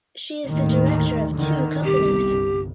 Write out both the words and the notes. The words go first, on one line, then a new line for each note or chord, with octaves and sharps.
She is the director of two companies.
D#2 A2 D#3
D3 D#3
G1 C2 G4